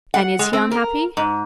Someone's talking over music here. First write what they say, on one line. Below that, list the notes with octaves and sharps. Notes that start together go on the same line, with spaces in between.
And is he unhappy?
F#5
G#3
C4
A#4
G#2